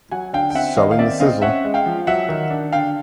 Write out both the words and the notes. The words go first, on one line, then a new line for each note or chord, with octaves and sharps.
Selling the Sizzle!
F#3 F#5 G#5
D3 F5 G5
G5
C4 E5 F#5
D#3 D#5 F5
F5
C4 D5 E5
C4 D#5 F5
C#4 E5 F#5
G#3
F5 G5
F3
F#3 E5 F#5
D#3
D4
D3 F5 G5